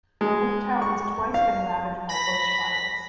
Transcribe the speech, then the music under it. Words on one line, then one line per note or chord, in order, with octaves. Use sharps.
The hotel has twice been ravaged by bushfires.
G#3
C#6
F5
B5 A#6 B6